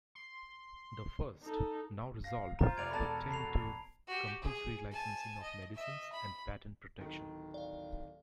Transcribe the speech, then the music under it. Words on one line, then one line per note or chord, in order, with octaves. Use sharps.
The first, now resolved, pertained to compulsory licensing of medicines and patent protection.
C6
D#4 A4
F5 A#6
F4 C5 A#5
F1 D5 F6 G#6 D7 F7
E1 F#4 A4 D5 A5 B5 A6
B5 C7 F7
F#4 G4
G#4
G#5 A5
D#5
D#5 E5
B5
D1 D#3
D5 F5